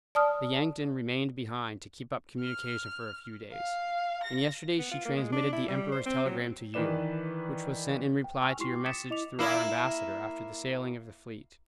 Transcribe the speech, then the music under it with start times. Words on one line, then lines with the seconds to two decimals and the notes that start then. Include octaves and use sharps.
The Yankton remained behind to keep up communication for a few days, and yesterday she transmitted the Emperor's telegram to you, which was sent in reply to your message through our Ambassador after the sailing of the fleet.
0.15 D5 A5 D#6 F6
2.41 F6
3.53 F5
4.24 A#6
4.79 B3
4.91 F4
5.05 A#3
5.17 G#3
5.32 D4
5.52 E4
5.68 G3
5.92 C5
6.06 C4
6.25 F#3
6.74 D#3 E3 B4 D5 E7
8.24 G5
8.42 G5 G#5 C#6 E6 F6 F7
8.59 E4 F4 G4 C6 C#6 C7
8.73 G5 D6
8.86 D#6 A6 B6 C#7 E7
9.10 E4 D#5 D6 F7
9.39 A#3 E4